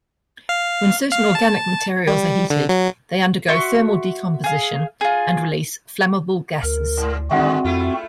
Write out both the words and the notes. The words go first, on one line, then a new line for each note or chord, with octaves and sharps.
When certain organic materials are heated, they undergo thermal decomposition and release flammable gases.
F5
F5
A5
G3
D3
F#3
F#4 E5 C6 C#6
G#4 F5
F4 G#4
D2 A#4
G#2
G2 D3 D#3 G#3 C4 F#4 E5 F#5
F2 A3 E4 F4